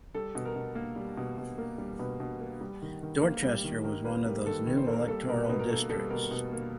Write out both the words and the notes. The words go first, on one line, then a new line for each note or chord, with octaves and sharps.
Dorchester was one of those new electoral districts.
G3 A4
B2
A#4
B2
A#3
G3
B2
B2
A#3
G3
B2 B4
B2
A#3
G3
D#3
D#3
A#3
G3
D#3
D#3 A#4
A#3 B4
G3 A#4
D#3 A4
D#3
C5
A#3 A4
A#4
G3 A4
B2 A#4
B4
B2 A#4
A#4
A#3 A4
G3 A4
B2 A#4
B2
A#3